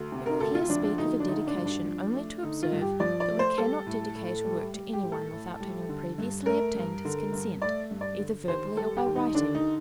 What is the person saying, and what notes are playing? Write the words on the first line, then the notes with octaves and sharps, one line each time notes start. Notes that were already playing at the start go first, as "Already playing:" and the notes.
We will here speak of a dedication only to observe, that we cannot dedicate a work to any one, without having previously obtained his consent, either verbally or by writing.
Already playing: D2
C3
A#4
D2 A4
F4
F3 D4
D4
D2 D#4
D4
D3 D#4
D4
G2
D4
F3
A3
D3 D#4
F4
G2
G4
F3 D5
D5
A3
C5
G3 A4
A2
A2
G3
G3
G4
A2
A4
A2
G3
D3
G2
A3 A#4
G2
D3
G2
A3 D5
G2
D5
D3
D#2 C5
G3 A4
G4
D#2
D#4
D3 D4
D#4